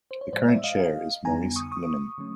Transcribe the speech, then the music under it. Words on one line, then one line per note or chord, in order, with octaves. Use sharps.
The current chair is Maurice Limmen.
C5
C#5
A2 F3 G#3 C5 D5
D5 E5
D#5 F5
F2 D3 G3 B3 D#4 G#5 A#5
C#6 D#6
C#6 D#6
D3 F#3 A3 C#4